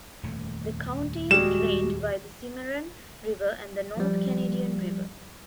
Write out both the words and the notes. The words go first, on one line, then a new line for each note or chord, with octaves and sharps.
The county is drained by the Cimarron River and the North Canadian River.
D#1 F2 A3
G3 G#3 F#4 E7
F3 G3